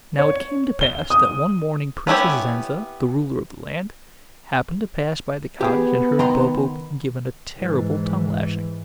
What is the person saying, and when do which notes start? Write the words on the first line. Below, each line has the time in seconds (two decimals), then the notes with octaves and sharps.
Now it came to pass that one morning Princess Zenza, the ruler of the land, happened to pass by the cottage and heard Bobo being given a terrible tongue-lashing.
0.19 C#5
0.81 G7
1.10 D#6
2.07 B3 C#4 E4 G4 C#5
5.61 B3 G4 G#4
6.19 D#3 A#5 C6
7.58 G#2 E3